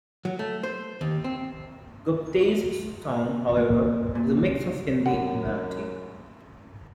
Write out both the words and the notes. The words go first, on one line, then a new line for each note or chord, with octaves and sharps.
Gupte's song however is a mix of Hindi and Marathi.
F#3
A3
C5
D#2
C4
A#2
A#2
F#2 F#5